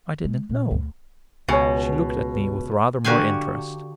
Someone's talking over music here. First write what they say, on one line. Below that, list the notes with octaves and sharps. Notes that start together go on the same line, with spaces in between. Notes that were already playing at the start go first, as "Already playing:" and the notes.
"I didn't know." She looked at me with rather more interest.
G#3
A#2
D2
C#2 B2 C#5 G#5
D3 F#4 G4 F5 G#5